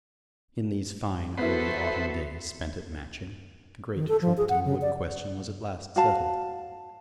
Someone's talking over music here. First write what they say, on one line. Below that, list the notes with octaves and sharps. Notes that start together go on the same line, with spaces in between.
In these fine early autumn days spent at Matching, the great Trumpeton Wood question was at last settled.
B3 E4 F#4 A4 B4 C5 E5
D#3
A4
F3
G#4
F#5
C#3
D5
F#4 F5 A5